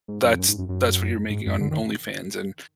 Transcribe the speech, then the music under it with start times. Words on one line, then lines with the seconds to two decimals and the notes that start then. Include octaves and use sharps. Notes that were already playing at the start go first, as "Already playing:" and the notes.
that's that's what you're making on OnlyFans, and
0.08 G#2
0.23 F#2
0.33 F2
0.39 F#2
0.48 G#2
0.58 F#2
0.69 F#2
1.30 G#2
1.46 F#2
1.61 D3
1.71 D#3